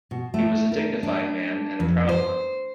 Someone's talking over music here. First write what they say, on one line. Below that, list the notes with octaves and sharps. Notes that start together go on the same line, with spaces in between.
He was a dignified man and a proud one.
B2
A3
A#4
D4
F2
C5